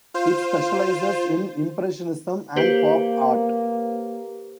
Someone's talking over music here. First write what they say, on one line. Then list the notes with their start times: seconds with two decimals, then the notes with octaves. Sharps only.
It specialises in Impressionism and Pop art.
0.14 F4 C5
2.56 A#3 G4 B4 C5